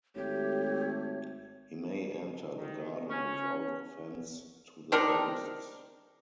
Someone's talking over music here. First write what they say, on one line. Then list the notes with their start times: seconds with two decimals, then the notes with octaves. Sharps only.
He may enter the garden without offense to the ghosts.
0.15 G#1 A3 G4 C#5
2.57 D#3
3.10 C#4
4.92 C4 D4 D#4 A#4